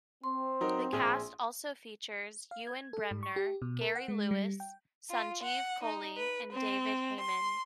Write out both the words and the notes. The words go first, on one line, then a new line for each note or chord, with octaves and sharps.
The cast also features Ewen Bremner, Gary Lewis, Sanjeev Kohli and David Hayman.
C4 C6
F#3 D#4 A#4
A#1 G#4
F5
G#6
A4
G#2
C#6
G4
B2
A#4
F#5
G#3
G3
G5
F4
F#5
D#4
B4
C4
C6